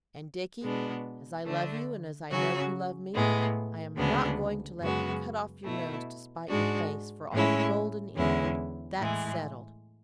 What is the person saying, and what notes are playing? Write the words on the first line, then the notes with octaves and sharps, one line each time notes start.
And, Dickie, as I love you and as I know you love me, I am not going to let you cut off your nose to spite your face for all the gold in England. That's settled.
B2 G#3 B3 D4
D3 A3 D4
C#3 F#3 C#4 F#4
A2 G#3 B3
D2 C#3 G#3 B3 D4
F#2 C#3 G#3 B3 F#4
B2 A3 E4
G#2 G#3 D4 F#4
A2 G#3 C#4 E4
E2 D3 G#3 C#4 E4
A2 E3 G#3